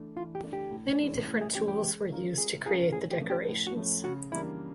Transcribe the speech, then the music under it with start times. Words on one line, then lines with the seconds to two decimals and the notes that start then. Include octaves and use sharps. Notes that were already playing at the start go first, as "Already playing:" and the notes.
Many different tools were used to create the decorations.
Already playing: E3 A3 D4
0.16 E3 F4
0.35 G4
0.43 A3 D4
0.53 G4
0.71 A2
0.99 E3 G#3 C#4
1.27 A2
1.41 G#4
1.54 E3 G#3 C#4 G4
1.68 G4
1.82 G#3
2.09 C#4 F4 A#4
2.38 G#3 G#4
2.65 C#4 F4 G#4 A#4
2.93 A2 G#4
3.11 G4
3.21 F3 A3 C#4
3.30 G4
3.49 A2
3.67 F#4
3.76 F3 A3 C#4
4.04 C#3 F#4
4.32 E3 G3 A#3 D4 E4